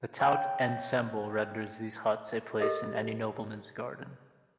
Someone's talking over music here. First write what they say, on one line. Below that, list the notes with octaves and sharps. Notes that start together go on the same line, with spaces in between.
The 'tout ensemble' renders these huts a place in any nobleman's garden.
C#5 G5
G4 A4 A#4 D#5